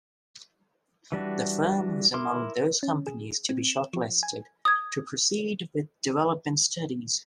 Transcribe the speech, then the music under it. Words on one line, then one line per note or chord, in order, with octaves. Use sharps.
The firm was among those companies to be short-listed to proceed with development studies.
E3 G3 D4 F#4
E4 A#4 C6 D6
C#4
G#4
C4
E7
F3
G#5
D#6 G#6